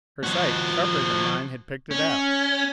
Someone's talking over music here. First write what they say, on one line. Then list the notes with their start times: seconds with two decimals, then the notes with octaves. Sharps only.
Her sight, sharper than mine, had picked it out.
0.24 F3 F#4
1.91 C#4